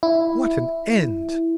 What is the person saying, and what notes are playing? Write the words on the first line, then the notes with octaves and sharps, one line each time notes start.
What an end!
E4